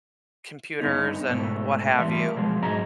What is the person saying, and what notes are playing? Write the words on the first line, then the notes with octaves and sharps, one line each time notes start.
computers and what have you,
G2 D3 B3 D#4
G#2 B2 A3 B3
E3 G3 A3 B4 E5
B2 F3 G#3 B3
G#2 F#3 G#4 D#5 A#5